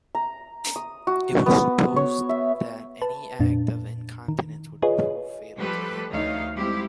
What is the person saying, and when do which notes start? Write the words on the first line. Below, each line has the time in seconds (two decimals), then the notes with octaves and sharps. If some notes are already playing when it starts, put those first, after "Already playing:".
It was supposed that any act of incontinence would prove fatal to him.
0.15 A#5
0.76 D#6
1.07 F#4
1.46 B3
1.96 C#5
2.29 E5
3.02 B4 A5
3.39 F2 A#2 D4
4.28 D#3
4.82 F4 G#4 B4 C#5 D#5
5.56 F3 G3 A3 G4 A4 B4
6.10 D2 D#3 A3 D#4 C#5 F5
6.55 G3 G#3 C4 E4 G4